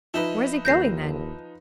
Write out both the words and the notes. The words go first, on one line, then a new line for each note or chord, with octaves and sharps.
"Where is it going then?"
F3 D#4 E4 B4 D#5
D#2 G6 A#6 C7